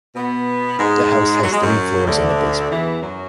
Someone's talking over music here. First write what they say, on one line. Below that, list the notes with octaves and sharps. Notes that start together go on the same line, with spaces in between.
The house has three floors and a basement.
B2 B3
G#2 G#3
F#3
G#3
F#2 F#3
C#3
D2 D3
E2 E3
F#2 F#3